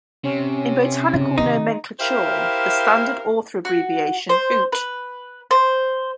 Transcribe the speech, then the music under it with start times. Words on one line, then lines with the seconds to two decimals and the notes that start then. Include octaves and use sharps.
In botanical nomenclature, the standard author abbreviation Houtt.
0.24 C3 C#4
1.14 C#3
1.38 D#3 C4 D#4
2.00 E4 G4 A#4 C5 E5 F5
3.65 F#4
4.29 C5
4.72 B4
5.51 C5